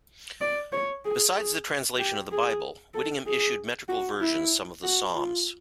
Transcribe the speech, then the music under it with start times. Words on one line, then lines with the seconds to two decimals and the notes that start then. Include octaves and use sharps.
Besides the translation of the Bible, Whittingham issued metrical versions some of Psalms.
0.41 D5
0.72 C#5
1.05 G#4
1.36 G#4
1.99 G4
2.31 G#4
2.94 A4
3.26 G#4
3.88 F#4
4.21 E4
4.83 F#4
5.15 F4